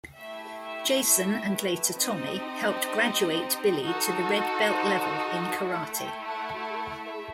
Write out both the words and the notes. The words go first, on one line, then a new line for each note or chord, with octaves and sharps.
Jason and later Tommy helped graduate Billy to the red belt level in karate.
A3 E4 G4 E5
E5
E5
B4
C4 D#4 G4 D#5
D#4 F#4 A4
C5
D#5
A3 E4 A4 F#5
G5
F#5
F#5
E5